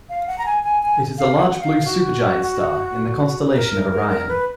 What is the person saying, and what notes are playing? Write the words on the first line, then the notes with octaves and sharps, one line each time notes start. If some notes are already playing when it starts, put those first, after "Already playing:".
It is a large blue supergiant star in the constellation of Orion.
F5
F#5
A#5
G#5
G#5
G#5
F5
F#5
F5
F#4
A#4
A#4
A#4
A#4
B4